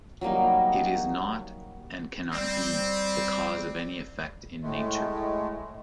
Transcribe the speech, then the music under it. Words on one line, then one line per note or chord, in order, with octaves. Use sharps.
It is not, and cannot be, the cause of any effect in Nature.
F#3 G3 A#3 D#4
G3 C4
A2 G#3 A3